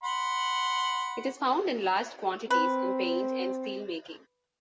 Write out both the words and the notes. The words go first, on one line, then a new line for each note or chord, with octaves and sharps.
It is found in large quantities in paint and steelmaking.
F#5 B5 C6
C4 B4